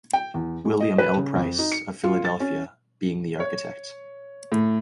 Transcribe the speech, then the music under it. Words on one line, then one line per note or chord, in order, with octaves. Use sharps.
William L. Price, of Philadelphia, being the architect.
G5
E2
G#3
D#5
B4
C#3
F2
D#4
C#7
F4
A6
C#4
C#5
A2